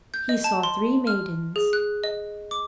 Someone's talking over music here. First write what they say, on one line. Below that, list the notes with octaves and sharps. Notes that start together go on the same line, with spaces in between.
He saw three maidens.
G6
D#5
A5
C6
F6
G#4
F#6
D#5
D6